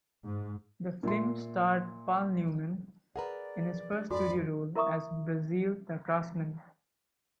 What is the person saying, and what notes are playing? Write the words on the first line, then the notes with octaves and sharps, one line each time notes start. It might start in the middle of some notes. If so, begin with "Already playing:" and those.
The film starred Paul Newman, in his first studio role, as Basil the craftsman.
G#2
A#2 E5 C6
G#4 A#4 B4 D5 F#5 A#5
G3 D4
F2 G#2 F3 D4 F#4 A4 D5 B5
E4 A#4 E5 A#5 C#6 D#6